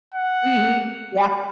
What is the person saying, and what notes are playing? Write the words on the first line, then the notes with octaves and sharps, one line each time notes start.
Mhm. Yeah.
F#5